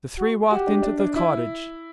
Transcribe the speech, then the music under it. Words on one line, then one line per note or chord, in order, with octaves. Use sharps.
The three walked into the cottage.
F#4
F#4 G4
D4
D4
D4
E4